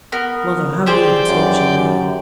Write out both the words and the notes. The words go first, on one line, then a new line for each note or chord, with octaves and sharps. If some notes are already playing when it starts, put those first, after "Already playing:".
Mother, how you have tortured me!
B3 A#4
G4 G#4 C5 D5 G5 G6
F#2